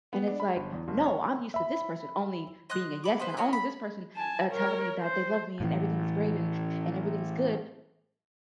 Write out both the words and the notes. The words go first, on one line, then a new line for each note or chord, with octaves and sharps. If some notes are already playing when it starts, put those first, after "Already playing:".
and it's like, "No, I'm used to this person only being a yes man, only; this person, uh, telling me that they love me and everything's great and a and everything's good."
B3
D4
B5
G1
E2
F#1
C#5
E5 B5
D#5 C6 D#6 F#6
B5 D6
B4 C5 D#5
E4 F#4 C#5 D#5
B5
G#5 A5
A#4 C#5
C5
A2 E3